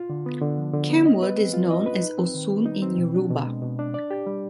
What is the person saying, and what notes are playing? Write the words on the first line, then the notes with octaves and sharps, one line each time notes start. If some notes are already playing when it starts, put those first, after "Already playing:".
Camwood is known as "osun" in Yoruba.
Already playing: F4
D3
B3
D3
F3
D3
B3
D#5
B4
C4
F4
D#5
B4
D#4
C4
D#3
G3
D#4
C4
B2
D4
B2
G#3
B2
D4
D5
G4
G3